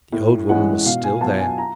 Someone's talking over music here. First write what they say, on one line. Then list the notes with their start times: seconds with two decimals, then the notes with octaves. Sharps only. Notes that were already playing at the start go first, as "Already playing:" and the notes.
The old woman was still there.
0.12 A2
0.49 E3 G#3 C#4 F#5
0.85 B2 F5
1.03 G#5
1.21 F#3 B3 A5
1.40 G#5
1.58 A#5